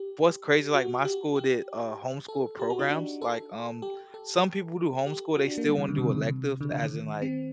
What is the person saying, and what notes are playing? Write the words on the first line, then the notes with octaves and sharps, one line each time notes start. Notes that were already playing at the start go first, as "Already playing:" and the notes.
what's crazy, like, my school did, uh, homeschool programs. Like, um, some people do homeschool, they still wanna do electives as in, like,
Already playing: G4
F#4
G4
G4
A4
G4
F#4
D#4
D4
A4
G4
A4
G4
F#4
D4
A#3
G3
D#3
D3
C3
C3
D3
D3
D#3
C4